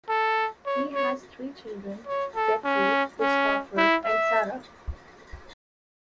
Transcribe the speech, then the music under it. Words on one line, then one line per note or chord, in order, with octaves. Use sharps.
He has three children: Jeffrey, Christopher and Sarah.
A4
C#5
C#5
C#5
A4
C#4
C#4
E4
E5